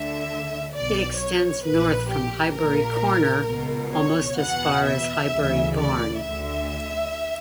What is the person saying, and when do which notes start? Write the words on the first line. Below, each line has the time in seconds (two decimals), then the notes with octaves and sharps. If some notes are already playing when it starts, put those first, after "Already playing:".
It extends north from Highbury Corner almost as far as Highbury Barn.
Already playing: D2 D3 E5
0.75 B1 B2 D5
1.20 C#5
1.65 A#1 A#2 B4
2.11 G4
2.57 A#1 A#2 A#4
3.49 C#2 B2
3.94 C#5
4.40 E2 B2 F#5
4.86 E5
5.32 D2 C#3 E3
5.78 D5
6.23 D2 D3 E5